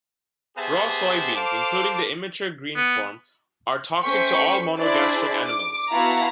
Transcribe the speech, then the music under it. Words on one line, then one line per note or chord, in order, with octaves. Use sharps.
Raw soybeans, including the immature green form, are toxic to all monogastric animals.
B3 G4 G#4 C5 E5 A5
A4 C5 F5 A5 D6
B3
A3 C#4 C5 G5 C#6 B6
D4 E4 G#4 C5 D5
D6
B3 E4 F#4 F5 A5 A#5